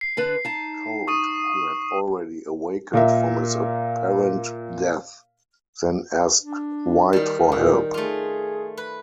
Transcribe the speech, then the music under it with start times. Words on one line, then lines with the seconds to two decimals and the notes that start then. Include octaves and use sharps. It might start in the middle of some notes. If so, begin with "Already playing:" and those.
Colt, who had already awakened from his apparent death, then asked White for help.
0.01 C7
0.17 D3 D4 B4
0.45 D#4 A5
1.08 C#6 D#6 D#7
2.93 A#2 A#4 E5
6.41 D4
7.13 D#3 G3
7.52 A#2 D#3
7.94 A3 F4 G#4
8.77 B4